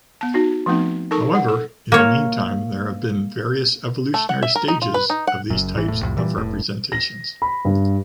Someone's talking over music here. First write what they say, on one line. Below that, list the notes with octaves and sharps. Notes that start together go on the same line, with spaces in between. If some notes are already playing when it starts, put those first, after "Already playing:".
However, in the meantime there have been various evolutionary stages of these types of representations.
B3 A5
D#4 F#4
F3 A3 B3 C4 D#4
D#4 A4 A#4 A5 C#6
F#5
A4
A#3 C#5
A3
F#5
E5
A#4
D#4
F4
B4
D#4
F#5
F#1 F#2
A1 E3
E1 A2
C2 F2 A2
A#2 E3 G3
F1 A2
A#6
B5
G2